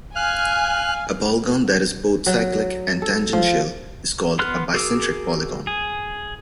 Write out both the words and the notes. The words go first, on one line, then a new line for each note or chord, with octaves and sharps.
A polygon that is both cyclic and tangential is called a bicentric polygon.
F5 G#5 F6 F#6
F#3
A4
F3
B3 C6 F6 F#6
F#4 G#4 A#4 D6 E6
G#4